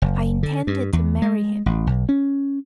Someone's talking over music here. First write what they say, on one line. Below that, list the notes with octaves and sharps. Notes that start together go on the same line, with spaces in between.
I intended to marry him.
F#1
D3
G2
E2
G#3
A1
B1
C#4